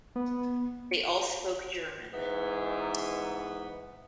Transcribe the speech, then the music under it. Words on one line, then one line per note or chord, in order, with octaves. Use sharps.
They all spoke German.
B3
G#2 E3 B3